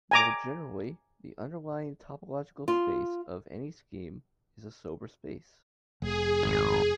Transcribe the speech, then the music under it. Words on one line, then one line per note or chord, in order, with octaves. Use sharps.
More generally, the underlying topological space of any scheme is a sober space.
G#5 A#5 D6
F4
F1 G#4
G#1